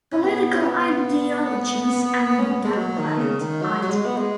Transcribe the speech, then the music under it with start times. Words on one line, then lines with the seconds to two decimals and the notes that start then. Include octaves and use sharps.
Political Ideologies and the Democratic Ideal.
0.12 C#4
0.24 B3
0.55 C#4
0.66 B3
2.39 C#4
2.52 B3
2.64 G#3
2.77 F#3
2.98 D#3
3.19 C#3
3.40 D#3
3.62 F#3
3.82 F#3
3.89 G#3
4.05 B3
4.18 G#3